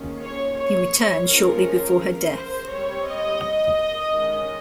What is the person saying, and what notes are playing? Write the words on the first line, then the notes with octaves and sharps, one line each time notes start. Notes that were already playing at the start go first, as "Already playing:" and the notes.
He returned shortly before her death.
Already playing: D#3 A#3 C#4
C#5
C#5
F3 G#3 C#4 A#4
A#4
C5
G3 C4 C#5
D#5
D#3 G#3 C#4